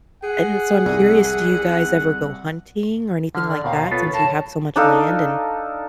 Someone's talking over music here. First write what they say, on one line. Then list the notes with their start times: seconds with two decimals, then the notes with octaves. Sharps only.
And so, I'm curious, do you guys ever go hunting or anything like that since you have so much land and
0.23 G#4 F#5
0.86 C2
3.35 D3 F6
3.49 D5
3.64 D#2 B2 F5 G5 A#5 C6
3.91 B3 F4 A4 C#5 B5
4.13 A4 A#4 F5 A5
4.76 D4 D#4 A4 F5